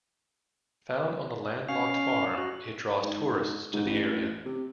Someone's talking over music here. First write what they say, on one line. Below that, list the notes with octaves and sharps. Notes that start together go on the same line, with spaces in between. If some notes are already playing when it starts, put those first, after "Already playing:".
Found on a landlocked farm, it draws tourists to the area.
C#4 F5
F#4
G#2
G#2
A1
C3